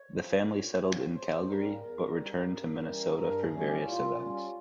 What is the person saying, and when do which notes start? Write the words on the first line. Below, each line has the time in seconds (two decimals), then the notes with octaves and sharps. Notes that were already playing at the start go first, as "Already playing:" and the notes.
The family settled in Calgary, but return to Minnesota for various events.
Already playing: C#5
0.11 F3 C4
0.45 A#2
0.79 F3 C4
1.13 E2 C5
1.46 C#3 G3 A#4
1.80 E2 A#4
2.15 C#3 G3
2.48 G2
2.83 E3 G3 C#4
3.16 G2 A#4
3.39 G#4
3.51 E3 G3 C#4
3.62 G4
3.85 A#2 F4
4.19 G3 C#4